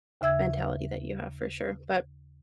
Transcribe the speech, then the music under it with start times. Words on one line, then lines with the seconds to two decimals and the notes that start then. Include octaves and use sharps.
mentality that you have, for sure. But,
0.21 D#2 C#3 E5 E6 G#6